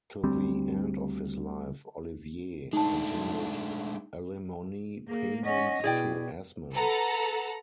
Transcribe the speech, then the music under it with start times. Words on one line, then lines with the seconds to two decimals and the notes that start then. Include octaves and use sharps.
To the end of his life, Olivier continued alimony payments to Esmond.
0.24 D2 G3 C4
2.73 G#3 A3 D4 D#4 A5
5.08 A#3 G#4
5.45 C#4 D#5 F#5
5.84 B2 E4 G#4 D5 G5
6.73 A4 B4 F#5 A#5